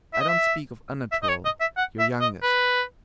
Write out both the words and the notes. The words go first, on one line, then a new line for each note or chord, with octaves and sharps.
I don't speak of Anatole, your youngest.
E5
D#5
E5
E5
D#5
C#5
D#5
E5
F#5
E5
D#5
B4